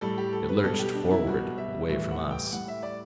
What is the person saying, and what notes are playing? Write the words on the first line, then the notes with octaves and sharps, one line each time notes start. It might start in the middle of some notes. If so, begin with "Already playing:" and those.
It lurched forward--away from us.
A2 G3 A4
G4
A4
B4
B2 G3 A4
G4
D4
E4
B2 G3 F#4
E5
A2 E3 G3 E5
F#5
G5
A2 G3 F#5
E5
D5